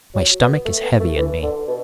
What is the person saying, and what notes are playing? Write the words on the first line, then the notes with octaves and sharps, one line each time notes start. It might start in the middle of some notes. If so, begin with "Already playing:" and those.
My stomach is heavy in me.
F#3
B3
A3
B3
A3
E3
D3
B2